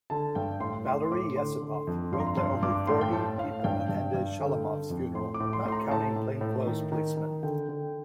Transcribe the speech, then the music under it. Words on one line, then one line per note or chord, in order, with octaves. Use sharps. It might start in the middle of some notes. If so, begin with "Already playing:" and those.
Valery Yesipov wrote that only forty people attended Shalamov's funeral not counting plainclothes policemen.
D3 A5
G2 G5
A2 C6
A2 C6
C6
A2 D6
D3 C6
D3
C6
F2
G2 C6
A#5
C6
G2 C6
G2 D6
A2 C6
G5
A2 A5
A2 F5
F5
G2 G5
G2
G2
D3
D3
F2
A2 C6
D6
A2
C6
A2 C6
A#5
A2 A5
A2
A2
D#3
D#3
D#3
D3 G5
D3